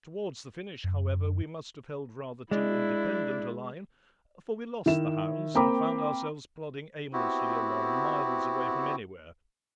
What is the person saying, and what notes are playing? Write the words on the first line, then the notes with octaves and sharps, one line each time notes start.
Towards the finish, however, we must have held rather too independent a line, for we lost the hounds, and found ourselves plodding aimlessly along miles away from anywhere.
F#2
G#3 D4 E4
D#3 E4 E7
A#3 C4 G5 A#5 B5 D6
B3 C4 E4 F#4 G4